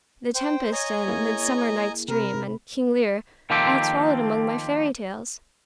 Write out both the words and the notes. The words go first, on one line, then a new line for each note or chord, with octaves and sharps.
"The Tempest," and "Midsummer Night's Dream," and "King Lear," I had swallowed among my fairy tales.
C5 G5
C#5 D#5 G#5 A#5
A#3 E4 G#4
C3 A#4 B5
D#3 F3 A#3 C4 G4 A4